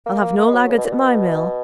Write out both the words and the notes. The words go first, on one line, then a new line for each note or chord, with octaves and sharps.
'I'll have no laggards at my mill.
A#3
A#3
A#3
G#3
F#3
C#3
B2
A#2
B2